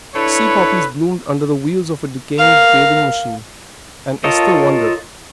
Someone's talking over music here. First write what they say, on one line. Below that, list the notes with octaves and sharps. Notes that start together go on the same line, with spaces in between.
Sea-poppies bloomed under the wheels of a decaying bathing-machine, and Esther wondered.
D4 E4 A4 B4 C#5
A#4 F5
F4 A4 A#4 C#5 D#5